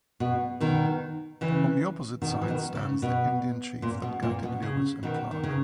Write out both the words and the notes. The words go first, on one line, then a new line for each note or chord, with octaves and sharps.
On the opposite side stands the Indian Chief that guided Lewis and Clark.
B2
B2 D#3
C#3 E3
B2 D#3
E3
B2 D#3
C#3
B2
A#2
B2
A#2
B2
C#3
B2 D#3
D#3
C#3